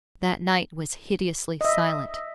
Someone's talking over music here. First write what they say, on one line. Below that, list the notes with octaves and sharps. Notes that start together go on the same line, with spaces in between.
That night was hideously silent.
D#5 E5